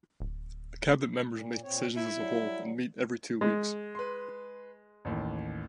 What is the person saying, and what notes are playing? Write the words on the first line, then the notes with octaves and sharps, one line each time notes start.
The cabinet members make decisions as a whole and meet every two weeks.
D1
A#2
A#2 C4 C#5
E4 E5
F#3 G3
G#3
B4 C6
A1 D#2 A2